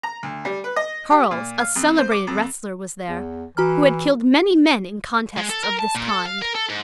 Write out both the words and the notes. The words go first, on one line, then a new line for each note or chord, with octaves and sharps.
Charles, a celebrated wrestler, was there, who had killed many men in contests of this kind.
A#5
D2
G3
B4
D#5
G4
A#2
F5
F2
C5
D6
F2
E2
E3 F#4 A#5 F6
G#3
A4
A#4
A5
A#2
A4
F5
A#4
A4
G#2